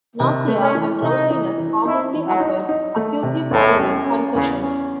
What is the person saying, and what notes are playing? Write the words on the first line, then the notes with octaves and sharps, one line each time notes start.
Nausea and drowsiness commonly occur acutely following concussion.
C3 D#3
A3
C#4
E3
C3 D#4
E3
E3
D#4 E4
E3
F#3
D#4
D#4
A3
C3
E2 A2
C#4
C#4
E2 C#3
C#4